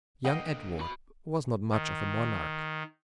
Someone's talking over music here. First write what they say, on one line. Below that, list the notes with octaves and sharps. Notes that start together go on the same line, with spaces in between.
Young Edward was not much of a monarch.
D3 A#3 B4 D#5 F#5 G5 B5
F4 F#4 B5
D#3